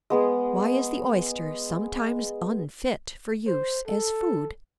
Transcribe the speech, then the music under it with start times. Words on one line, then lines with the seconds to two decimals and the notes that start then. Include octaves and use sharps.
Why is the Oyster sometimes unfit for use as food?
0.10 G#3 B3 G#4
3.47 C5
3.87 A4